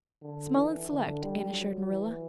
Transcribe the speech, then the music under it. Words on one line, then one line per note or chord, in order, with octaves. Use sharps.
"Small and select," Anne assured Marilla.
D3
E3
D3
G3
F#3
E3